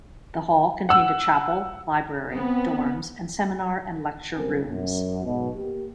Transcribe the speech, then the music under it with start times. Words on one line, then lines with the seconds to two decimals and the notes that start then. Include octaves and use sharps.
The Hall contained a chapel, library, dorms, and seminar and lecture rooms.
0.89 F#5 E6
2.33 B3 C4
4.33 C2 F#2 C4 A#4 G#5
4.67 F#2
5.25 B1 G#2 B2
5.56 A#3 G4